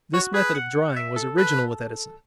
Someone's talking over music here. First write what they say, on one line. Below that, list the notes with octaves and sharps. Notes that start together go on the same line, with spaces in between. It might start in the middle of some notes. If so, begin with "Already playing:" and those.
This method of drying was original with Edison.
F#4 C#5
G#4 B4
F#5
E5
A4
B4